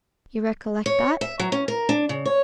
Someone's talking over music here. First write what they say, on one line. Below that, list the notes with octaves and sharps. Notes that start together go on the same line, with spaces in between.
You recollect that?
C#5
E5
F#3
C#4
A#4
D4
C#3
C#5